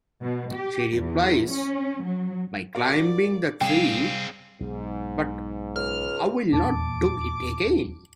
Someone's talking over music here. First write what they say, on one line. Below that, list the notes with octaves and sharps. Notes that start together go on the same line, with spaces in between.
She replies, "By climbing the tree, but I'll not do it again".
B2
G4
E2
C#4
F#3
F#4 A#4 D5 F5
C3 G3 C4 G#4 F5 G5 E6
B1 G#2
C#2 F6
D#1 E2 A#2 A5 D6 A6